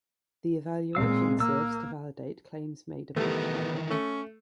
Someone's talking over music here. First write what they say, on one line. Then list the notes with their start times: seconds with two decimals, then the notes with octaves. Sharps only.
The evaluation serves to validate claims made about the target.
0.95 A#2 G#3 C4 F5 E6
1.40 A#3 E6
3.16 D#3 E3 G3 A3 B3 A#4
3.91 A3 C#4